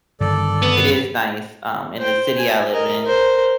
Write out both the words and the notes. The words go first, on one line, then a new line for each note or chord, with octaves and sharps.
it is nice, um, in the city I live in.
G2 D3 D#3 A4 D5
B3
C5 G5
G#5
A#4 D#5
A#4 C5